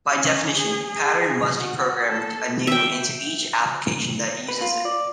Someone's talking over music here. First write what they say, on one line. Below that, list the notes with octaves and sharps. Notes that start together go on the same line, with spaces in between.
By definition, a pattern must be programmed anew into each application that uses it.
C#4
G#4
G#4
F#4
A4
E5 G5
B4
F4
D5